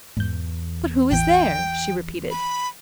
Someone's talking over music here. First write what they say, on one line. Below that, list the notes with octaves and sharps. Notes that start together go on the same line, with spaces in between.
"But who is there?" she repeated.
E2 G#2 G6
A1 E3 G5
B5